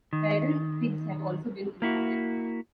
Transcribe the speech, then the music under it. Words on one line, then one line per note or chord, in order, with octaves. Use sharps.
Feral pigs have also been reported.
D#3
A#3 E4 F#4